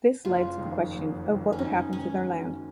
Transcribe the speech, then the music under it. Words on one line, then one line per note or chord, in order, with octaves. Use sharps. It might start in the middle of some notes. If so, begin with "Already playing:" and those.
This led to the question of what would happen to their land.
F#1 F4
F2 D#3
F#1
F2 D#3
C#4
F#2 D#4
D#3 G#3 C#4
F#2